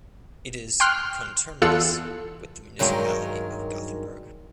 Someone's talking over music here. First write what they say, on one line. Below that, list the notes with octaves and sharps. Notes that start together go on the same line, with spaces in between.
It is conterminous with the municipality of Gothenburg.
G5 C6 F6 F#6
E2 F4 A4 E6 F#6 C#7
G2 D#3 F#3 G#3 A#4